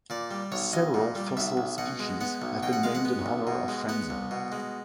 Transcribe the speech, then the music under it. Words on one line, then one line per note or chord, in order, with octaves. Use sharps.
Several fossil species have been named in honor of Franzen.
A#2 D5
G3
B1 C#5
B1 D#5
A#2
G3
B1 E5
B1
B2 F#5
G#3
B3 F#5
B1
B2 G5
F#5
G#3 F5
F#5
B3
B1
B2
G#3
B3 F#5
C2
B2
G#3